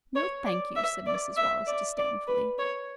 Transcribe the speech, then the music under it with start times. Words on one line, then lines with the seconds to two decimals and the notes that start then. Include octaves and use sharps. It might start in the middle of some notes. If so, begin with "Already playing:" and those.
"No, thank you," said Mrs. Wallace disdainfully.
0.16 C#5
0.45 D5
0.76 E5
1.06 D5
1.37 E5
1.67 D5
1.98 D5
2.27 B4
2.58 C#5